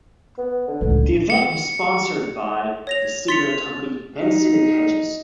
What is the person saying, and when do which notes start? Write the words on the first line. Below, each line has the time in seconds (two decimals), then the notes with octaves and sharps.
The event was sponsored by the cigarette company Benson and Hedges.
0.38 B3
0.68 D3
0.81 C#2 A2
1.30 C#7
2.87 C#5 A#6 F7
3.28 C6 A6 B6 C#7 F7
4.20 D#4